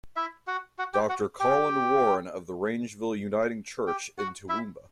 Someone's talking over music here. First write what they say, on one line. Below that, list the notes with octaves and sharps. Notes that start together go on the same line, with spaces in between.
Doctor Colin Warren of the Rangeville Uniting Church in Toowoomba.
E4 E5
F#4 F#5
F#4 F#5
G4 G5
F#4 F#5
G4 G5
G4 G5
F#4 F#5
E4 E5